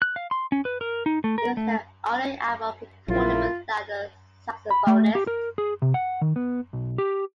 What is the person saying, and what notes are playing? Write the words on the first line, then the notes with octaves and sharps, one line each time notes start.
It was their only album recorded without a saxophonist.
F#6
F5
C6
C#4
B4
A#4
D#4
A3
A#4
A3
A#1 C#3 F#3 A#3 E4 F4
B5
A3
G4
A#4
G#4
C3
F#5
D#3
B3
B1
G4